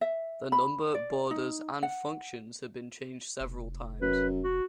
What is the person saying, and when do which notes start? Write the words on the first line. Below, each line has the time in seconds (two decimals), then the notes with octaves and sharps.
Their number, borders and functions have been changed several times.
0.01 E5
0.52 B5
0.94 D5
1.31 D#4
1.83 F#5
3.40 F1
4.01 F#2 B4
4.44 F#4